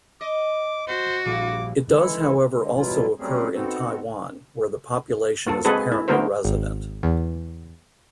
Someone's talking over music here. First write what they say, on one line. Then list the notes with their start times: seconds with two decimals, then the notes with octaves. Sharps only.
It does however also occur in Taiwan, where the population is apparently resident.
0.21 D#5 D6
0.88 F#4 C5
1.25 A#1 G3 E4 D6
1.89 E3 G#3 E4 A4
2.54 D3 G#3
2.75 B2 E3 F#3 G3 E4 F4
3.18 F#3 G3 A3 C4 C#4 G#4
3.54 B3 C4 D#4 F#4 A4
5.47 A#3 F4 A4
5.65 G#3 C4 F#4 G#4 A4 B4
5.92 E4
6.08 D3 A3 B3 F#4 A#4 C5
6.45 G#1
7.03 E2